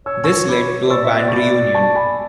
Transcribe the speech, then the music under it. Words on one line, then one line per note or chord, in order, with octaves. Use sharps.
This led to a band reunion.
C#5 E6
C#6 E6
B5 D6
D5 C#6 E6
E5
D5
C#6
D5 B5 D6
A5 C#6
G#5 B5